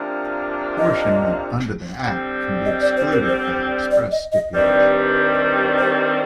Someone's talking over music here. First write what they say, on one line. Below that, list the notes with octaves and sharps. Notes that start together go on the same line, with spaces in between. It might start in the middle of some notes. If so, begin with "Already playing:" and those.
Apportionment under the act can be excluded by express stipulation.
Already playing: C3 F3 A#3 D4
D#5
D3 G3 C4
D#5
D5
C5
A#4
C5
D5
D#5
D#5
G2 D#3 G3 C4 D5
C5